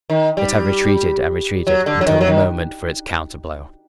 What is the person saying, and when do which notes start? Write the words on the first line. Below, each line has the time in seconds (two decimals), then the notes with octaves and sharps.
It had retreated and retreated, until the moment for its counter-blow.
0.10 D#3
0.37 G3
1.67 F#3
1.86 D3
2.01 F#3
2.06 D#3
2.21 F#3
2.28 D#3